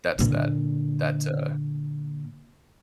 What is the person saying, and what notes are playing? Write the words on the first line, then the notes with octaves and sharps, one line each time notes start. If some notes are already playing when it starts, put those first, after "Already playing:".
that's that that's uh
A#2 D3